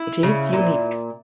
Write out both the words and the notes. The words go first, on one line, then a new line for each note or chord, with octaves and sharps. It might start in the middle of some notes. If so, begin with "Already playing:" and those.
It is unique.
Already playing: E4
C#3
A#2